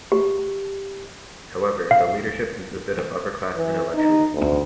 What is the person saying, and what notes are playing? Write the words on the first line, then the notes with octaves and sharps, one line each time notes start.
However, the leadership consisted of upper-class intellectuals.
G4
F5
E3
D#4
D2